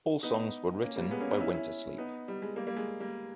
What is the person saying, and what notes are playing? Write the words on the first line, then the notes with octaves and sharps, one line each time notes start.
All songs were written by Wintersleep.
B3 D#4
A#3 C#4
G3 A#3
G#3 B3
A#3 C#4
B3 D#4
C#4 E4
C#4 E4
B3 D#4
G3
G#3
G3 A#3
G3 A#3
G#3
G3 A#3